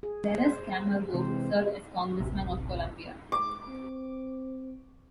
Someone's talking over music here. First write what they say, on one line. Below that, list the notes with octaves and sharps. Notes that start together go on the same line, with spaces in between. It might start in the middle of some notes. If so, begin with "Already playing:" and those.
Lleras Camargo served as congressman of Colombia.
G#4
C5
C3 E3 G#3 C4 C5
D1 A1 C3
G#2 D6
C4